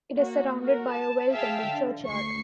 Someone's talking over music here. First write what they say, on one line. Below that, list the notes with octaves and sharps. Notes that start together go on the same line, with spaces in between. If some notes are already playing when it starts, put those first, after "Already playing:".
It is surrounded by a well tended churchyard.
A#3 F#4
F#4 A#4
A5
G#4 E5 F5 G5 A5
D3
D2 C#6 C7